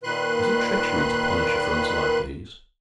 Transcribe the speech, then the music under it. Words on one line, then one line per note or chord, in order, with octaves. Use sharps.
Is it treachery to punish affronts like these?
A#2 D#3 B4 C6 F#6